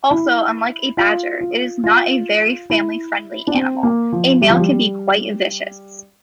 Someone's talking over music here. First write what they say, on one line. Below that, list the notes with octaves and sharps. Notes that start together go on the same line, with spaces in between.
Also, unlike a badger, it is not a very family-friendly animal, a male can be quite vicious.
E4
F4
F4
F4
E4
D4
C4
A#3
F3
G3
F3
G3